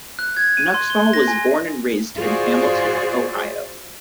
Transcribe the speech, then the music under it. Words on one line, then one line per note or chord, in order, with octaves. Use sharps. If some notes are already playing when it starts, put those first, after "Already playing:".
Nuxhall was born and raised in Hamilton, Ohio.
F#6
G#6
D#7
C6
G7
A#6
G#5
F4 F#4 G#4 C5 D5